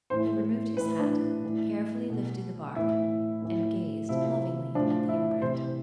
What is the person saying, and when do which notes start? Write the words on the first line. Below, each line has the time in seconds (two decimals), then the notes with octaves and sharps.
He removed his hat, carefully lifted the bark, and gazed lovingly at the imprint.
0.10 A2 E3 C5
0.77 A2 E3 B4
0.99 D4
1.44 A2 E3
2.10 B2
2.76 A2 E3 E4
3.42 A2 E3
4.09 C3 F3 E4
4.75 A2 F3 D4
5.08 E4
5.41 C3 E3 C5